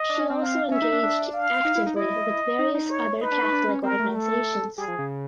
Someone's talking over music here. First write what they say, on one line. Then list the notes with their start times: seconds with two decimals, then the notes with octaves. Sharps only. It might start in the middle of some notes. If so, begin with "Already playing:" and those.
She also engaged actively with various other Catholic organisations.
Already playing: D#5
0.09 D4
0.20 C#4
0.30 C4
0.41 F5
0.72 C#4 E5
0.82 D#4
0.92 D4
1.03 D4
1.34 F5
1.65 D#4
1.76 E4
1.86 D#4
1.96 E4 D#5
2.59 D#4
2.75 D#4
2.90 C#5
3.21 D#4 B4
3.32 D4
3.43 D#4
3.53 D4
3.68 C#4
3.83 C4 A#4
3.99 A3
4.15 A4
4.78 G3 G#4
4.88 F3
4.99 C#3